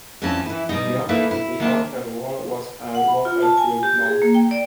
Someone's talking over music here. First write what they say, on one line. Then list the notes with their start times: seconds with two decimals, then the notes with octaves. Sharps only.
Beyond the outer wall was a water-filled moat.
0.22 F2 E3 C4 C#4 A5
0.46 E3 E4
0.69 B2 G3 D#4
1.09 A#3 D#4 E4 A4 B4 E5
1.31 E4
1.60 D#3 A#3 D4 E5 A5
2.95 F#5
3.08 B5
3.25 F4
3.42 A5
3.58 G#5
3.83 G4
4.06 G#4
4.22 A#3
4.34 G5
4.51 D5